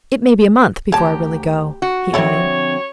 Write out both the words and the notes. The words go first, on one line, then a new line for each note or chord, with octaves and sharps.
"It may be a month before I really go," he added.
D2 G4 C#5 A5 A#5
F#4
D3 F3 A3 C4 E4 C#5